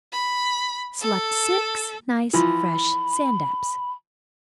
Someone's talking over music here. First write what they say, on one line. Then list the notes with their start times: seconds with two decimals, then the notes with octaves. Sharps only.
Select six nice fresh sand-dabs.
0.12 B5
1.01 A4
2.33 E3 F3 B5